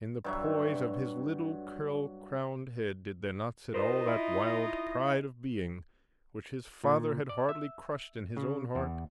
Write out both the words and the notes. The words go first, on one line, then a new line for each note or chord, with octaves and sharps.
In the poise of his little curl-crowned head did there not sit all that wild pride of being which his father had hardly crushed in his own heart?
G2 F#3 E5
D#4 F4 A#4 C5 D#5
E4
A#2
D5
E5
C#3
E2